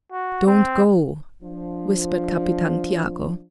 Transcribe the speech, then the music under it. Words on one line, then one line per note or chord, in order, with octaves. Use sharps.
"Don't go!" whispered Capitan Tiago.
F#4
C4
F3 D4